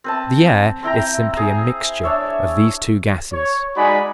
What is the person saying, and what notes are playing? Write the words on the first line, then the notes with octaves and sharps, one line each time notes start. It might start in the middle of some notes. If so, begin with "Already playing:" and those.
The air is simply a mixture of these two gases.
C4 B4 A5
C4 E4 G5 A#5
G#4 A#5
D4 C#5 E5
C#5
G#3 D#4 F#4 D5 G#5 B5